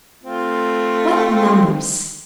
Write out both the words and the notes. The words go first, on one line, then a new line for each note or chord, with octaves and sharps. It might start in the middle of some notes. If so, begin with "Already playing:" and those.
What numbers!
A3 C4 F4